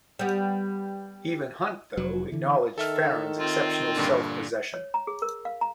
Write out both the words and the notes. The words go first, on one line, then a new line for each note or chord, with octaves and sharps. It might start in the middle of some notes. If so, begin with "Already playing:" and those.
Even Hunt, though, acknowledged Farren's exceptional self-possession.
G3 B3
F1 F#3
D3 E3
D#3 A4 E5 F6
C4 F4
G2 A#2 D3
C#5
A#5
G#4
A#4
F5
A#5